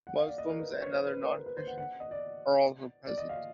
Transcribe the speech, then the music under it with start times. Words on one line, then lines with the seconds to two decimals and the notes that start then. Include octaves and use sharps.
Muslims and other Non-Christians are also present.
0.07 F#5
0.18 F5
0.28 D5
0.38 D#5
0.49 A#4
0.60 B4
0.71 C5
0.82 C#5
0.93 C5
1.07 B4
1.22 A#4
1.35 B4
1.46 B4
1.57 C5
1.67 F#5
1.78 F#5
2.00 D#5
2.11 D5
3.07 D5
3.18 D#5
3.29 F5